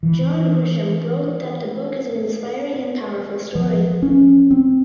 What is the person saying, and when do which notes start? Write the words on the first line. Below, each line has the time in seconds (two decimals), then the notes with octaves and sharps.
John Grisham wrote that the book is an "inspiring and powerful story".
0.03 E3
3.55 F3
4.02 C#4
4.51 C4